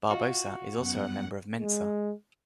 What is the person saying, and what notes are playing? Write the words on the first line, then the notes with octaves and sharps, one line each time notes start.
Barbosa is also a member of Mensa.
F4 F#4 D#5 F5
F#2 B3 F#5
G#3